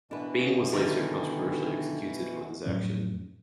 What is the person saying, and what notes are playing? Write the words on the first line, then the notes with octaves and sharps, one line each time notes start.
Byng was later controversially executed for this action.
B2 E3 D4 B4
D3 D#3 G3
F2 A2 F#3 C#4